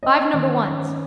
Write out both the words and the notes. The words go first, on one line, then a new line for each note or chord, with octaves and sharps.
Five number ones.
C#4 D#5
D#3
C#4